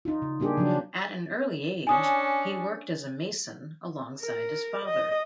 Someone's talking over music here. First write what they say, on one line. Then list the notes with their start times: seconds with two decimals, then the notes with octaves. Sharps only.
At an early age, he worked as a mason alongside his father.
0.05 D#4 F4
0.22 C#3
0.40 G3 A#3 D4 G4 G#4
0.57 C#3 F3 F#3 D4
1.87 C#4 D4 G#5 D#6
4.21 A#4
4.85 D#5